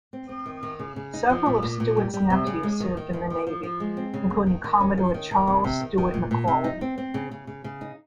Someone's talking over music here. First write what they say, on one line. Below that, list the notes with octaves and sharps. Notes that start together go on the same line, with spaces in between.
Several of Stewart's nephews served in the Navy, including Commodore Charles Stewart McCauley.
C4
C4
D#3
D#3
C#3
C#3
D#4
F3
A#2
A#2
A#2
G3
G3
C3
C#3
G#3
D#3
D#3
D#3
D#3
F3
F3
G#3
C4
C#3
A#3
D#3
D#3
C#4
F3
D#3
D#3
C3
C3
D#3
D#3
A#2
A#2
C3
D#4
C4
C4
C#3
C#3
C#3
C#3
D#4